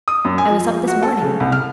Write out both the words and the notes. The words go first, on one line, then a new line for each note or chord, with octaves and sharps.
"I was up this morning."
D#6
F#2
G#5
F3
F#4
A4
C#3
C2
F6